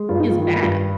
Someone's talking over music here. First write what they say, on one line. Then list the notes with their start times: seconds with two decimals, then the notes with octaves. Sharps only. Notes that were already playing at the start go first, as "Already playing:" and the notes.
is bad.
Already playing: G#3
0.09 G2 F4
0.20 D#4
0.31 D#3 F4
0.62 G2